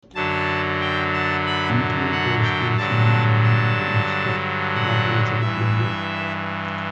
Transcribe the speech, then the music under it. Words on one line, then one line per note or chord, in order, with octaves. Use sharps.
Anatoly Gorsky sent a memorandum to Moscow about Elizabeth Bentley.
F#2 D3 F#3 A5
G5
A5
B5
F#5
G5
G2 D3 F#3 A5
A5
F#5
G2 E3 E5